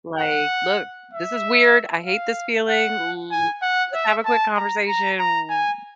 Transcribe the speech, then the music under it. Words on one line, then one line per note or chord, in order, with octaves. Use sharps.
like, "Look, this is weird, I hate this feeling, L let's have a quick conversation. W
F#5
E5
F5
F#5
G#5
F#5
E5
A5
A#5
A#5
A#5
G#5